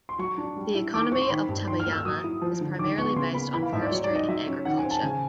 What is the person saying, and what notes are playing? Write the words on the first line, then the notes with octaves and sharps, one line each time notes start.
The economy of Tabayama is primarily based on forestry and agriculture.
C6
F#3 C#6
D4
G3
E4
D#3 D6
C4 C#6
C6
D#3 B5
G2
D#3 C6
F6
A#3
E6
F#3 D#6
E4
F3
D3
D#3 D6
B3 C#6
C#3 C6
A#3 B5
E3 B5
F5
G#2 E5
D5
F#3 C#5
D5
D#4
D#5
F#3 E5
C#4
D#3 F#5
G#5
C4
A5
C#3 G#5